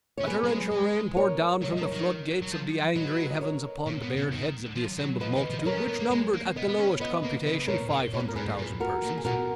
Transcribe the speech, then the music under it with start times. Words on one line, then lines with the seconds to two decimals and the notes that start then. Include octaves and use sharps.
A torrential rain poured down from the floodgates of the angry heavens upon the bared heads of the assembled multitude which numbered at the lowest computation five hundred thousand persons.
0.17 C#4 C#5
0.26 B3 G#4 B4
0.44 F#3
0.49 G#3
0.72 G#3
1.17 A#4 C#5
1.62 F#3 C#5
1.72 D#5
1.76 F3
1.81 A#4 C#5
1.92 D#3
2.42 F#3
2.52 F3
2.96 F#3 B4 D#5
3.31 D#5
3.41 A#4 C#5
3.87 A#2
4.02 B2
4.16 C#3
4.31 D#3
4.76 F3
4.99 F#3
5.21 F3 B4 D#5
5.36 D#3
5.51 F3
5.59 D#5
5.66 F#3 A#4 C#5
5.72 C#4
5.78 B3
5.89 B3
6.00 A#3
6.11 G#3
6.33 A#3
6.56 B3 B4 D#5
6.68 B3
6.78 C#4
7.00 B3 B4 D#5
7.23 A#3
7.45 C#3 B4 D#5
7.68 A#2 A#4 C#5
7.91 A#2
8.13 A#2 C#5
8.20 B4
8.28 A#4
8.35 G#2 G#4 B4
8.57 A#2
8.80 F#4 A#4
9.03 A#2
9.17 G#4
9.25 B2 F#4 A#4